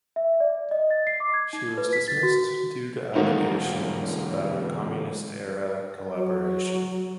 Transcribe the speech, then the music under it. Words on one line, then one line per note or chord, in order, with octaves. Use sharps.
She was dismissed due to allegations about her communist-era collaboration.
E5
D5
D#5
A6
C7
D6
G#6
D#4
B4
B6
A6
F#4
E2 G#2 D#3 A#3 F#4
F#3